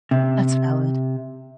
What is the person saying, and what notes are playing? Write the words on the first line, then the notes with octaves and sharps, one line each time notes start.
That's valid.
C3